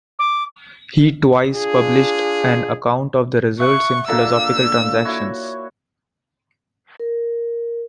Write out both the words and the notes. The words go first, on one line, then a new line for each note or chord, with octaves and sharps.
He twice published an account of the results in Philosophical Transactions.
D6
D4 F4 G#4
E5 F#5 C#6
A#2 D3 A#3 E6
E4 F#4 C#5
A#4